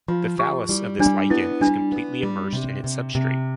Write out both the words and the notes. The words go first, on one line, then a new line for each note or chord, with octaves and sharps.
The thallus of this lichen is completely immersed in its substrate.
F3 F4
F3 G4
G3 E4
G3 D4
B3 E4
G3 D4
B3
G3
C3
C3
C3